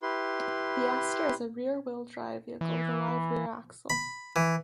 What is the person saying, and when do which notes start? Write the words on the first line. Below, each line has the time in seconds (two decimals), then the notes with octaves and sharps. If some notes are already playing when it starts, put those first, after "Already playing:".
The Astre is a rear wheel drive vehicle with a live rear axle.
0.03 E4 G4 B4 C6
2.61 E3
3.90 B5
4.36 E3